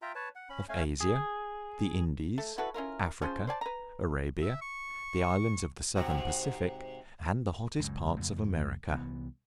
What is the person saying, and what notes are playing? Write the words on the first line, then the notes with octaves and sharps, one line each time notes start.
Of Asia, the Indies, Africa, Arabia, the Islands of the Southern Pacific, and the hottest parts of America.
F4 E5 G5 A#5
B4 C#5 A5
F#5
C#4 B5
A3 C#4 F5 G#5
G#4
A3
E4 F#4 A4 B4
C#4 E4 F4 A#4
F3 C#4 G#4 C5
C5 D5 G#5 A5
B4 A#5
E5
C#6
G#2 C3 F#4
C#2 F#2
F2 C#3 A3
C2 E3 G3 B3